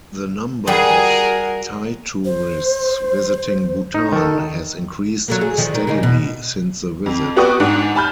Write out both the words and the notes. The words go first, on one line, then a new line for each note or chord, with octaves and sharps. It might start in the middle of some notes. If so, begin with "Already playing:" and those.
The number of Thai tourists visiting Bhutan has increased steadily since the visit.
G3 F#4 G#4 A#4 F#5
C5
D#4
D#3 A4
F#3 A3 A#3
G#4
D3 D#3 F3
D#3
C#3 A#3 D#4
B2
F2
B3 F#4 D5 G5 C#6 D#6
G#2 D4 F#5
G#5 A5 B5 F6 G6